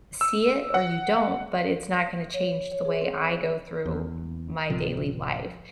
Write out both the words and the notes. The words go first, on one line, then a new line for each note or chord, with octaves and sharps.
see it or you don't, but it's not gonna change the way I go through my daily life,"
E6
F#5
A#6
C#5
C#5
G#4
C4
E2
D1 C3 F3